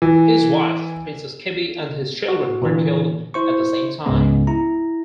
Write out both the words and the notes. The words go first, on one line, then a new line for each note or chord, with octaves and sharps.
His wife, Princess Kibi, and his children were killed at the same time.
E3
F#4
A#2 D3 E3
E4 C5 C#6
C#2 G#2 C#3 G#3 B3 C#4
E4 A#5